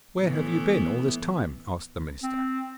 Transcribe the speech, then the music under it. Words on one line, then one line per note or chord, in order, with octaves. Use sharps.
'Where have you been all this time?' asked the minister.
A2 E3 B3
C4